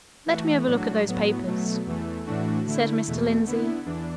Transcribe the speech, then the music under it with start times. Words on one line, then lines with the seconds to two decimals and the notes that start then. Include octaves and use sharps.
"Let me have a look at those papers," said Mr. Lindsey.
0.26 E3 A3 F#4
0.66 A2 F#3 D4 F#4
1.07 A2 F#3 B3
1.46 B2 F#3 A3
1.86 E2 E3 A3
2.26 A2 E3 A3 D4 F#4
2.66 D3 A3 E4
3.07 E2 B2 A3
3.46 D3 B3 E4
3.86 E2 E3 D4